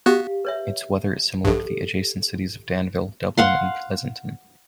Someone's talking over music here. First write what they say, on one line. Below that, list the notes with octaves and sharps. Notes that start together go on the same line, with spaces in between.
Its weather is similar to the adjacent cities of Danville, Dublin and Pleasanton.
B3 F#4 G4 F5 F#6
B4 C#5 E5
A#1 G2 G4 A4
F5 F#5 C6